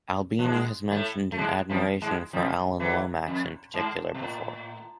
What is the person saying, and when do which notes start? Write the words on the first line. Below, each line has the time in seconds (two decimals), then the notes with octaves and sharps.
Albini has mentioned an admiration for Alan Lomax in particular before.
0.39 F3
0.44 G#2 G#3
0.91 A2 A3
1.32 A3
1.38 G#2 G#3
1.70 F2 F3
2.02 G#2 G#3
2.33 F2 F3
2.80 E2 E3
3.27 F2
3.74 G#2
4.14 B2
4.22 A2